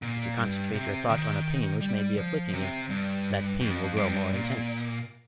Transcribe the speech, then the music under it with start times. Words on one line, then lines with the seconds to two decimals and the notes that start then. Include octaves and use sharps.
If you concentrate your thought on a pain which may be afflicting you, that pain will grow more intense.
0.02 A#2
0.38 G2
0.74 C3
1.09 D#3
1.81 G3
2.17 F3
2.53 C3
2.89 G2
3.61 F2
3.96 G2
4.33 A#2